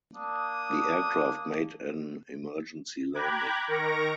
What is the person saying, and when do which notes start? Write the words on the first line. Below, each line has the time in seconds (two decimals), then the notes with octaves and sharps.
The aircraft made an emergency landing.
0.15 A#3 D4 D#6
3.14 G5 A#5 B5 D6 F#6 G#6
3.68 D#3 A#4 A#5 C#6 A#6 D7